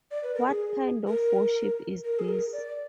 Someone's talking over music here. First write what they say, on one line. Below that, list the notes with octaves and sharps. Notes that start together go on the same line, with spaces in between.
What kind of worship is this?
D5
B4
A#4
G#4
A#4
A#4
G#4
A#4
D5